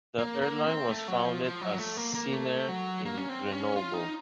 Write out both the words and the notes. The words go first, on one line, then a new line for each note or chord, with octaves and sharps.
The airline was founded as Sinair in Grenoble.
A#3
A#3
C4
A3
F#3
F3
F3
F#3
A3
A#3
A#3
A3
F#3
A#3
C#4
C4
C#4
F4
D#4